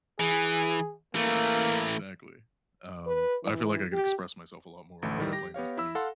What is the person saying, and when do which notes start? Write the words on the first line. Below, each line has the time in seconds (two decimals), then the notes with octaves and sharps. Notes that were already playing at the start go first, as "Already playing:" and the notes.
yeah, exactly, um, I feel, like, I could express myself a lot more whenever I play an instrument.
0.20 E3 G#4
1.15 E3 A3 A#3
3.06 B4
3.43 E3
3.93 G4
5.02 A1 D2 A3
5.18 A2 D#3 G3
5.32 G4 A#6
5.54 B3 G4 C#5 F5
5.77 E4 B5 E6
5.95 A4 F5 F#5 C6